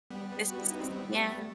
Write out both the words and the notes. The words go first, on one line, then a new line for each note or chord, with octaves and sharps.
this is Yeah,
G3 B3
F#4
E4
D#4
C4
G3 B3
A3